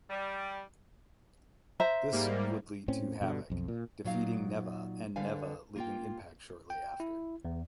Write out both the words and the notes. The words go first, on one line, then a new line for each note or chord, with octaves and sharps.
This would lead to Havok defeating Nevaeh and Nevaeh leaving Impact shortly after.
G3
C5 E5 A#5
G#2 G3 A#3
A2 C4 C#4
G2 B2 D3
B1 F2
A#2
A#2 F#3 D#4 F5
D3 G3 B4 F5 G#5
A#3 F4 G5
G5
E4
E2